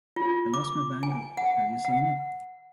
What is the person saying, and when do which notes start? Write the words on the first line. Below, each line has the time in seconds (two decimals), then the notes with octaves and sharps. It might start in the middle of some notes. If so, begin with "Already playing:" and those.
I lost my bangle have you seen it?
0.16 F4
0.54 D6
1.03 G#5
1.37 F#5
1.85 F#5